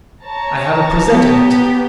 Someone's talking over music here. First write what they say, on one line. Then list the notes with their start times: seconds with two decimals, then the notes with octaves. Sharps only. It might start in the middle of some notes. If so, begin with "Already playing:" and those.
I have a presentiment.
0.23 C#5 A5 A#5
1.06 B3 G4